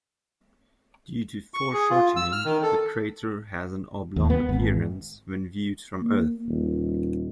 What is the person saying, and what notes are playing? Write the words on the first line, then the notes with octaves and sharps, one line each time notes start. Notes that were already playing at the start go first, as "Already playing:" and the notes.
Due to foreshortening, the crater has an oblong appearance when viewed from Earth.
C#6
G#4
F4
E6
F6
D#3
A4
D#2
B3
G#1
A#3
D#1